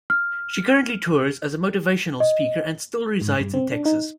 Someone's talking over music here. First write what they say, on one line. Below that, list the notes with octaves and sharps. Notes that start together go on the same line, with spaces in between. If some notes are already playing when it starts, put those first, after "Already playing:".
She currently tours as a motivational speaker and still resides in Texas.
F6
D#5
G#2
G2
C4
D4
D#4